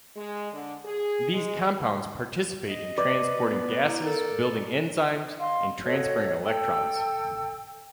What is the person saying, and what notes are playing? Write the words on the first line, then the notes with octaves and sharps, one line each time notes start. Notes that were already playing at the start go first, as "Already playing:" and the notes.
These compounds participate in transporting gases, building enzymes, and transferring electrons.
G#3
D3
G#4
G#3
D#5
B4 D5
B3
E4 A#5
A4 A#4
D#5 F5 C6
F#4 A4 C#5 D#5
A4 G5 E6